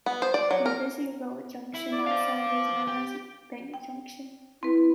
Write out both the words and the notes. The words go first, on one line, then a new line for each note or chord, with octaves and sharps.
The busy road junction outside is known as Bank junction.
B3
C5
D5
F#3
A#4
E4
D5
C5 F5
D6
G4
G5
C4 E4 B4